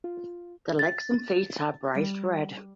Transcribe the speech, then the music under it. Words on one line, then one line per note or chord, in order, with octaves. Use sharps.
The legs and feet are bright red.
F4
A6
G3